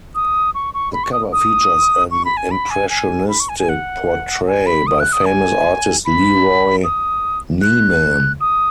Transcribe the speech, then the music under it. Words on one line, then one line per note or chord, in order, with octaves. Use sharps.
The cover features an impressionistic portrait by famous artist LeRoy Neiman.
D#6
C#6
C#6
B5
C#6
D#6
D#6
C#6
B5
G#5
B5
G#5
G#5
B5
C#6
G#5
G#5
F#5
G#5
B5
D#6
F#6
D#6
G#5
B5
D#6
F#6
D#6